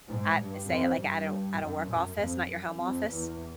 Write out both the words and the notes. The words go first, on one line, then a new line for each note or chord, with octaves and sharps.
at, say like, at a at a work office, not your home office?
G#2
G2
F2
G2
F#2
F#2
F2
F#2
F2
E2